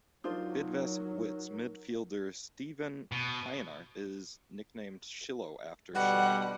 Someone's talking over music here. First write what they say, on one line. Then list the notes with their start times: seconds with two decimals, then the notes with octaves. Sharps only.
Bidvest Wits midfielder Steven Pienaar is nicknamed "Schillo" after Schillaci.
0.24 F#3 D4 D#4 F4 A#4 C5
3.12 B2
5.95 B2 D3 G3 F#5